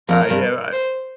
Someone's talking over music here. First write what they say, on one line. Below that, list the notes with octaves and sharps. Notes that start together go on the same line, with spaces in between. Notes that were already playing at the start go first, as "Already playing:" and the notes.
alright, yeah, right
F2 A#4
G2
C5